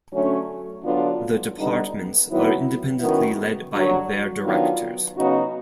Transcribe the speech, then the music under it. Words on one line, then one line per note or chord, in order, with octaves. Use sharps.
The departments are independently led by their Directors.
D3 F#3 A3 C#4
D3 F#3 B3 D4 F4
D3 G3 B3 D#4
D#3 F#3 B3 E4
F#2 D#3 F#3 B3 E4
G2 D3 F#3
D#3 F#3 B3 D4 F4
C#3 F#3 B3 D#4 F#4